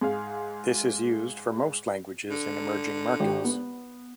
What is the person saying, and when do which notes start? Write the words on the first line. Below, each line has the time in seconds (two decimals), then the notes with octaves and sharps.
This is used for most languages in emerging markets.
0.01 G#2 G#4 F5
2.30 D3
3.20 G#1 G4
3.44 B3